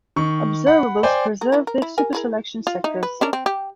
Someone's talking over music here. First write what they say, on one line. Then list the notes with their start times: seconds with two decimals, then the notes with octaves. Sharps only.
Observables preserve the superselection sectors.
0.16 D#3 C#6
0.67 F#5 B5
1.03 C5 D5 G5 G#5
1.41 G#4 A#4
1.52 C#4 E4 A#4
1.67 A#4
1.82 E4
1.98 G4 A#4 G#5
2.13 E4 G#4 A#4
2.67 F4
2.84 D#4
3.03 B4
3.21 C#4 D4 A#4
3.33 C4
3.46 G4